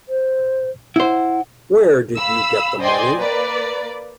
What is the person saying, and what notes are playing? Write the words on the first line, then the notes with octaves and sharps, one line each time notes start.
Where did you get the money?
C5
E4 C5 F#5
F5 B5 E6
C5 D5 D#5 G5 G#5 C6
A#3 B4 D5